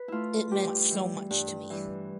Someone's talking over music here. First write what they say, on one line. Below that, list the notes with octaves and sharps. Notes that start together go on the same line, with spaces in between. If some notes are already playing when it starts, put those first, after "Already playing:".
It meant so much to me.
Already playing: B4
A3 E4 F4
G2 G4
E3 G3
G2
E3 G3